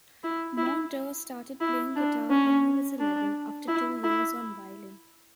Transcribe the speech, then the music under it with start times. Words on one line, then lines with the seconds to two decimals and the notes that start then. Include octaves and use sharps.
Monder started playing guitar when he was eleven, after two years on violin.
0.24 E4
0.57 E4
1.61 E4
1.96 D4
2.30 C#4
2.99 D4
3.68 E4
4.04 E4